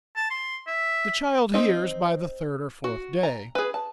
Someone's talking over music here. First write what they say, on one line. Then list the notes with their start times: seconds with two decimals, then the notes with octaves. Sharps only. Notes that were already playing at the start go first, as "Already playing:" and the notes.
The child hears by the third or fourth day.
0.16 A5
0.30 C6
0.67 E5
1.54 C4 D#4
2.84 F#4
3.23 A#5
3.55 G#4 B4
3.74 A5